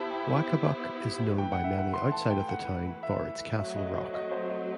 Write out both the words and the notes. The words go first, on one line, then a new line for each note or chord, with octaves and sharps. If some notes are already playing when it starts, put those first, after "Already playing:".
Waccabuc is known by many outside of the town for its Castle Rock.
Already playing: B3 E4 G4 C5 A5 B5
G5
E3 A3 E4 B4 G5
F#5
E5
F#5
C6
A5
G5
F#5
E5
F#3 A3 C4 E5
D#5
D#5
D#5
C5
D#5